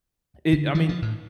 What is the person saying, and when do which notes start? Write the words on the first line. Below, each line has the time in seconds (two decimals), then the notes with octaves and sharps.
it I mean,
0.53 D3
0.75 F3
0.89 F3
1.02 A2